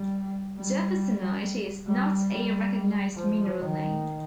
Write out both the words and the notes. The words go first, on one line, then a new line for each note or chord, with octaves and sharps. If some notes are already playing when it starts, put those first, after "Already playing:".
Jeffersonite is not a recognized mineral name.
Already playing: G3
G3
G3
G3
F3
D#3